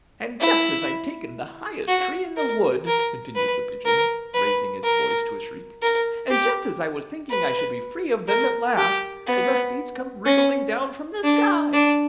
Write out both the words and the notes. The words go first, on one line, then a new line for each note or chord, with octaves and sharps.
'And just as I'd taken the highest tree in the wood,' continued the Pigeon, raising its voice to a shriek, 'and just as I was thinking I should be free of them at last, they must needs come wriggling down from the sky!
E4
F#4
A#4
A#4
B4
A#4
B4
A#4
A#4
G4
B4
A#4
G4
B3
C#4
D4
D4